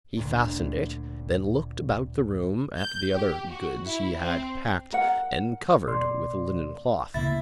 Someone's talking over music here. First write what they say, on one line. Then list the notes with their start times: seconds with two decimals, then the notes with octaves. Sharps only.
He fastened it, then looked about the room at the other goods he had packed and covered with a linen cloth.
0.17 D2 A#2
2.77 G6
3.12 G4
3.48 F#4
3.84 E4
4.16 C4
4.92 A#4 F#5
5.87 B2 D5 C6
7.14 D2 C#3 A#3 E4 A6